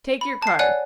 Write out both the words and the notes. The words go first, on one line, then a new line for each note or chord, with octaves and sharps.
Take your cards.
B5
A5 C7
C#5 D5 F#5 G#5 F#6